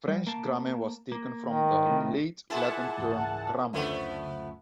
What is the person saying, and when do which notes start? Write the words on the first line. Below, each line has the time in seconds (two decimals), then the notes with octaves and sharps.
French "gramme" was taken from the Late Latin term "gramma".
0.08 G3
0.27 A#3 A5
1.12 A#3
1.45 D#3
1.72 G#2
1.86 A2 C3
2.50 A#2 G#3 E4 F#5 A5
2.97 C#2 G#2 E3
3.73 F#1 D2 D3 F3 A3 B3 C#4